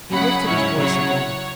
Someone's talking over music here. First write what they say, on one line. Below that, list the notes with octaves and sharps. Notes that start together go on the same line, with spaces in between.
He lifted his voice again.
F#2 C#3 F#3 F#5 B5
G#2 F#3 C#4 E4 C#5 F#5
C#3 F#3 E4 C#5 F#5